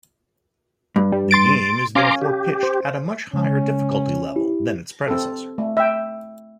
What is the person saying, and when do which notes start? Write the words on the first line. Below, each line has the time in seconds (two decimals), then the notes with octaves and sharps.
The game is therefore pitched at a much higher difficulty level than its predecessor.
0.96 G2
1.12 G3
1.31 C6 A6 D7
1.95 C#4 F5 G#5 A#5 C6 D6
2.21 G4
2.63 C5
3.34 C#3 G#3 C#4
4.36 E4 G4
5.08 C4 A4
5.58 A3
5.77 E5 G5